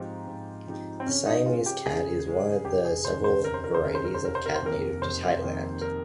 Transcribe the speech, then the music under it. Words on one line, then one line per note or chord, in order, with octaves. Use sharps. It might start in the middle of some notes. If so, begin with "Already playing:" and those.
The Siamese cat is one of the several varieties of cat native to Thailand.
Already playing: G#2 F3 C4 D#4 F4 G4
G#2
F3 C4 D#4 G4
C4
C#3 C#4
D#4
G#3 C#4 F4
G4
C#3 G#4
G#3 C#4
F1 G4
G#4
D#2 C#3 G#3 C5
C5
F1 A#4
C5
A#4
C5
D#2 C#3 G#3 A#4
C5
A#4
C5
F1 A#4
C5
A#4
C5
F2 D#3 A#3 A#4
F1 C5
F2 D#3 A#3
A#4